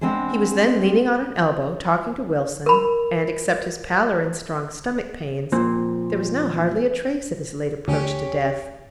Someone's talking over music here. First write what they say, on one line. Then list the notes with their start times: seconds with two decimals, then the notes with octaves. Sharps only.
He was then leaning on an elbow, talking to Wilson, and except his pallor, and strong stomach-pains, there was now hardly a trace of his late approach to death.
0.01 G#3 B3 C4 D4 G#4 C5
2.66 A#4 B5
5.52 A#2 F3 C4
7.88 D2 C#4 G4